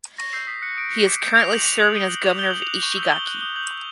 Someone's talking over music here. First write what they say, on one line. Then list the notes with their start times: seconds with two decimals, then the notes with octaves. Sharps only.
He is currently serving as governor of Ishigaki.
0.18 C#6 A#6
0.33 E6 G6 C7
0.47 D#6 B6
0.62 F#6 C#7
0.77 D#6 D7
0.92 F#6 C#7
1.07 D6 C#7
1.21 G6
1.36 D#6 F7
1.51 G6 F#7
1.65 D6 F7
1.79 F#6 F#7
1.95 D#6 G7
2.09 F#6 F#7
2.23 D6 F7
2.39 G6 G7
2.51 D#6 F#7
2.62 F7
2.68 F#6
2.73 F#7
2.83 C#6
2.97 E6 G6
3.12 C#6 G7
3.27 F#6 F#7
3.41 D#6 G7
3.56 G6 F#7
3.71 C#6